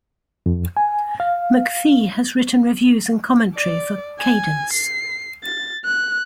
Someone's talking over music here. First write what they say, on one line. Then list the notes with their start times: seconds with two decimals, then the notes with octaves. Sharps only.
McPhee has written reviews and commentary for "Cadence".
0.46 F2
0.77 G#5
1.20 F5
3.56 D5
4.19 G#5
4.73 C7
5.43 A6
5.84 F#6